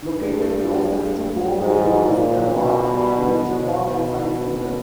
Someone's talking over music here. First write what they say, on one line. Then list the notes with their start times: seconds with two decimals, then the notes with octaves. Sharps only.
Located closest to Cowell Road is the Markham Nature Park and Science Center.
0.16 G2
1.59 G#2
2.07 A#2
2.54 B2
3.49 B2
3.97 B2